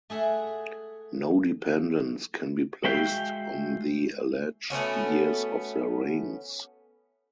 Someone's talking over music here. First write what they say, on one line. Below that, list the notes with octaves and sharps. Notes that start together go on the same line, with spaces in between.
No dependence can be placed on the alleged years of their reigns.
A3 G#4 E5 F#5
G#3 F#4 E5 F5 G5
A3 B3 C#4 F#4